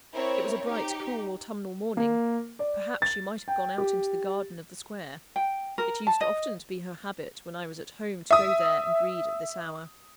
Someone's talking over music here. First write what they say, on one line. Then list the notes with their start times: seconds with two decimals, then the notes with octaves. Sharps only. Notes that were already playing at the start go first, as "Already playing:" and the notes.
It was a bright, cool, autumnal morning; perhaps she might have gone out into the garden of the square: it used often to be her habit, when I was at home, to go there and read at this hour.
0.13 C4 E4 A#4 C#5
0.63 D#4 G4
1.97 A#3
2.59 D5
3.02 A6
3.48 G5
3.78 G4
5.36 G5
5.78 A#4
6.07 A5
6.21 D#5
8.31 E5 D#6